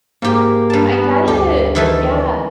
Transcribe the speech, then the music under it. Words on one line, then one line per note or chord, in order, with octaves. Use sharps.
I get it. Yeah.
G#2 A#3 G4
G2 A5
B3
D2 G4
D#3 E3 A3